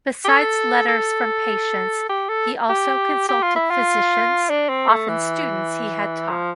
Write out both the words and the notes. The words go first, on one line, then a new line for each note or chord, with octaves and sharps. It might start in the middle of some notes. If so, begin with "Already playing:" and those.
Besides letters from patients, he also consulted physicians, often students he had taught.
G4
A4
A4
G4
A4
G4
G4
F4
E4
F4
D4
C4
A3
E3
F3